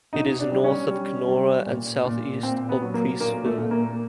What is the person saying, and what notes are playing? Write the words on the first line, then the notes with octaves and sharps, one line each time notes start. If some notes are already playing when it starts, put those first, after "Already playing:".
It is north of Canora and southeast of Preeceville.
B2 D#4
D4
G3
C#4
G3
G3
A#2
A#2
A#2 C4
B3
F#3
A#3
A#2 A#3
A3
A#2
A#3